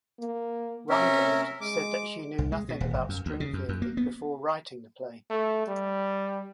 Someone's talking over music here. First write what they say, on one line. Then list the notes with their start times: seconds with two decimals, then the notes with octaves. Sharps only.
Reingold said that she knew nothing about string theory before writing the play.
0.19 A#3
0.90 C3 C#4 A#4 E5
1.61 G#3 D6
2.38 C2
2.52 G#3
2.69 B2
2.81 D#1
2.94 G1
3.09 F#2
3.26 D2
3.40 C#3
3.53 F#2
3.69 F#2
3.82 A#3
3.97 B3
5.30 A3
5.67 G3